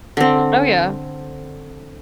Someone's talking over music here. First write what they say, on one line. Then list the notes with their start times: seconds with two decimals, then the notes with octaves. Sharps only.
M oh, yeah.
0.17 D3 C4